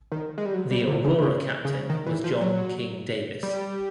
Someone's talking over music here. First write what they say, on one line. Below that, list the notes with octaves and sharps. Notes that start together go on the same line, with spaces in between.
The "Aurora" captain was John King Davis.
D#3
G#3
G3
F#3
G3
D3
C#3
C#3
C#3
D#3
E3
F3
F#3
G3